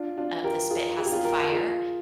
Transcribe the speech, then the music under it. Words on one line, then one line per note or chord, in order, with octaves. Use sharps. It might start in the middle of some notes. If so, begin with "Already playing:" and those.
of the spit has the fire,
Already playing: D4 F4
D4 F4
G4 A#4
F4 G#4
G#4
G4
F4 G#4
G4 A#4
A#4
F4 G#4